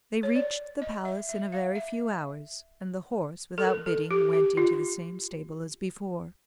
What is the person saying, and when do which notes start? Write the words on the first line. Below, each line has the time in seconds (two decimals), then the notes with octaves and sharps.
They reached the palace in a very few hours, and the horse, without bidding, went into the same stable as before.
0.23 C#5
0.35 D5
0.82 D#5
1.05 E5
1.29 E5
1.52 F5
1.75 E5
3.58 A4
3.64 A#4
3.86 A4
4.11 G4
4.33 G4
4.57 F4